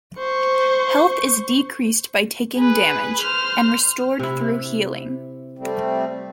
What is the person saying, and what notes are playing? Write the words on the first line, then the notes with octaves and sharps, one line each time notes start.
Health is decreased by taking damage, and restored through healing.
C5 C#6
G#4 B4
C5 F6
C3 E4
G3 A3 C4